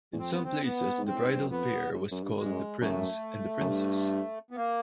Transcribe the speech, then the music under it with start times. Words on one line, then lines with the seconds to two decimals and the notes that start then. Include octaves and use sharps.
In some places the bridal pair was called the prince and the princess.
0.13 E2
0.19 F2 C4
0.31 B3
0.43 C4
0.63 B3
0.98 G#2
1.07 G2 C4
1.15 A2
1.24 G#2
1.33 G2
1.41 F#2
1.50 F2 B3
1.94 F#2
2.12 F#2
2.23 G2
2.38 G#3
2.45 G2
2.52 F#2
2.81 F#2 A3
3.61 F#2
3.69 G2
4.51 B3
4.56 A#3